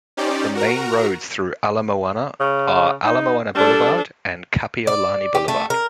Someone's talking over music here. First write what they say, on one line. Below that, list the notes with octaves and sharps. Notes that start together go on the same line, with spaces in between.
The main roads through Ala Moana are Ala Moana Boulevard and Kapiolani Boulevard.
C#4 D#4 G4 C5 D5
F#4 A#4 A#5
C#3
D#4
G3 D4 A4
D5
G4
A3
A#4